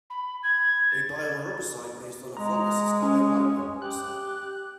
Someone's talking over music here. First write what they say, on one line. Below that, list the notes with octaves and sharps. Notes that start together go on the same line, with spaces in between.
A bioherbicide based on a fungus is called a mycoherbicide.
B5
G#6
A6
G#3 A#5
C#4
G4 F#6